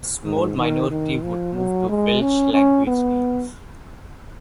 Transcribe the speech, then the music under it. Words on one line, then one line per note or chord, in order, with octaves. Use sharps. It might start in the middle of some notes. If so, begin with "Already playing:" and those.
A small minority would move to Welsh language names.
G#2
D#3
D#3
F3
F#3
G#3
C#4
C#4
B3